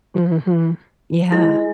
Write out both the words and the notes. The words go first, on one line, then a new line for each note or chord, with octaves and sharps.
Mhm. Yeah.
G#3 E4